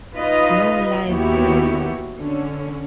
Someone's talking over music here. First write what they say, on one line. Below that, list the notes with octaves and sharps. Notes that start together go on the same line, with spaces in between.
No lives were lost.
D#4 F4 B4 D#5
D#2 B3 E4 F#4 G4
D3 C#4